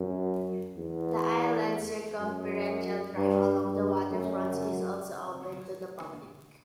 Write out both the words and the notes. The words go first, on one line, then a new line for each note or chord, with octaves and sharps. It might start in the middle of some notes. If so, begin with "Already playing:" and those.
The island's circumferential drive along the waterfront is also open to the public.
Already playing: F#2
E2
F#2
G2
G2
F#2